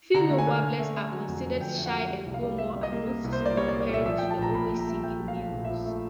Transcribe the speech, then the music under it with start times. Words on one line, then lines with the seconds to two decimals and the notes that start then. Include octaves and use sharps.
Female warblers are considered shy and go more unnoticed compared to the always-singing males.
0.14 D3 A#5
0.30 A3
0.38 G#5
0.47 D3
0.64 D3
0.79 A3
0.96 A3
1.12 F#3
1.28 F2
1.45 D3
1.61 F2 G5
1.78 A3
1.86 F#5
1.93 F#3
2.09 G3
2.26 C2
2.34 F5
2.43 G3
2.58 A#3 E5
2.76 G3
2.83 D#5
2.92 A#3
3.07 A#3
3.24 C2
3.33 C5
3.41 A#3 D5
3.57 G3 C#5
3.68 D5
3.73 A#3
3.81 D5
3.89 A#2 E5
4.06 F3 E5
4.18 G5
4.23 A3
4.31 A5
4.39 A#1 A#5
4.54 A#2 B5
4.71 A#2
4.79 A#5
4.88 A3
5.03 A3 G5
5.21 F3
5.28 F5
5.36 A3
5.52 A#1
5.65 E5
5.70 F3
5.86 A3